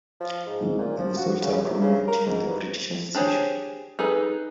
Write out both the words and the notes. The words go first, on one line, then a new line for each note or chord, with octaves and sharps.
He was also prominent in the British Association.
F3
G#2
A#2
F3
F#4
C#3
C3
C#3
A#4
G#2
G2
D4 G4 G#4 C5 C#5
D#4 G#4 A4 B4